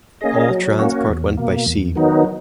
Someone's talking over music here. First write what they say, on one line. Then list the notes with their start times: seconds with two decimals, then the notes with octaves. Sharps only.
All transport went by sea.
0.21 A#3 C#4 G#4 D#5
0.50 F#3
0.79 A#3 C#4 F#4
1.08 E2
1.37 B2 A#3
1.66 E2
1.95 D#3 F#3 B3 D#4